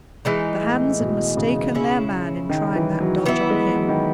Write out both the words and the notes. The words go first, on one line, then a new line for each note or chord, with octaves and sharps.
The hands had mistaken their man in trying that dodge on him.
E3 G#3 D#4
A2
B2
C#3
G#3 C#4 E4
D#3
E3
F#3
E3 B3 E4
G#3
F#3
D#3